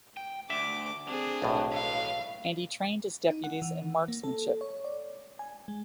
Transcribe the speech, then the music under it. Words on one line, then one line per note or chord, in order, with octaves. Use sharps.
And he trained his deputies in marksmanship.
G5
D2 E5 D6
D2 C4 D4 G#4
B1 A2
A4 B4 F5
D#4
F#5
E3
A#3
A4
C#5
D5
G#5
G#3